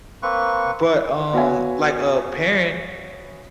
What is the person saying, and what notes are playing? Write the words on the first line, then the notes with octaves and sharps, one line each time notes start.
But, um, like, a parent,
A#3 C4 B4 C#6
B3 F#4 C#5 E5 F5 G#5